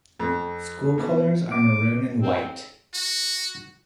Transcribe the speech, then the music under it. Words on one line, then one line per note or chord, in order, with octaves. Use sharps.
School colors are Maroon and White.
F2
B2
D6
C4
F#4